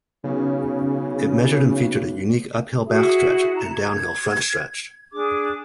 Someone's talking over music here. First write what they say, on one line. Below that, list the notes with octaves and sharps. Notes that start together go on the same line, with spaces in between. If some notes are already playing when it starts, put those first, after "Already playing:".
It measured and featured a unique uphill backstretch and downhill frontstretch.
B1 C#3
E4 F#4 G#4 E5
A5 A#5
G#6
D4 G#4 D6